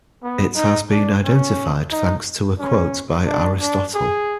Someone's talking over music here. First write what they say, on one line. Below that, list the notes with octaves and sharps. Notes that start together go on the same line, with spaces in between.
It has been identified thanks to a quote by Aristotle.
B3
D#4
D4
C#4
D#4
C#4
D4
D4
G#4